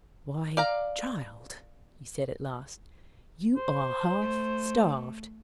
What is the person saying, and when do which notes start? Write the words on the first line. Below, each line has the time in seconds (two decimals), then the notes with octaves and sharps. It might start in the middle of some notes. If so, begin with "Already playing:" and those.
"Why, child!" he said at last, "you are half starved!"
0.57 D5 F5 A#5
3.57 C5
4.21 A3